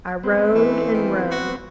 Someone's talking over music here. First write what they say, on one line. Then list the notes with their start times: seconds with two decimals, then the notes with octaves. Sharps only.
I rode and rode.
0.23 B3 C4
0.55 E3 A3
0.94 D#3
1.31 F#4